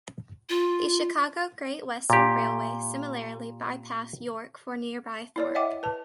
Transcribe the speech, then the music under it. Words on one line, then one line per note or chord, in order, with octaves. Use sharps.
The Chicago Great Western Railway similarly bypassed York for nearby Thorpe.
F4
A#2 G4
E4 C#5 D5
C#5 D#5 E5 F#5 G5 D6
B4 A5